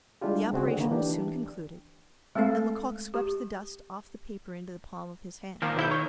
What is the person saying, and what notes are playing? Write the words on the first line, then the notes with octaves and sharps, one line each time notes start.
The operation was soon concluded; and Lecoq swept the dust off the paper into the palm of his hand.
G3 G#3 D4 E4 F4 G4
C#3 C4 F#4 G#4
D3
D#3 A#3 B3
E3 D4 G4
G#3 A3 C4 A4 F5
G4
A#2 D#3 F3
B1 E4 G6
C#5